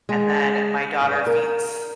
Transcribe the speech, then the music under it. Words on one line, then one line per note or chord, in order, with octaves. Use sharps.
and then my daughter feeds
G#3
G2
A#4